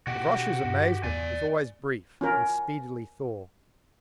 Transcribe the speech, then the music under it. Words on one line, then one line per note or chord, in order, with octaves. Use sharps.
Gavroche's amazement was always brief and speedily thawed.
B2 F#4 G4
G2
E2 D5 G#5
C#4 F4 A#4